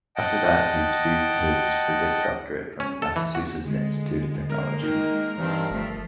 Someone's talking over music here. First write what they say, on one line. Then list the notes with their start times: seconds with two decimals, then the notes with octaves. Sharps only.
After that he received his physics doctorate from the Massachusetts Institute of Technology.
0.16 D#5 F#5 G5 A5
2.80 C#4
3.02 A4
3.16 E3
3.35 F#4
3.65 D3 G#3
4.49 G#3 A#3 A#4
4.82 D#3 A#4
5.38 G2 D#3 E3 C4
5.71 G1 F3 A3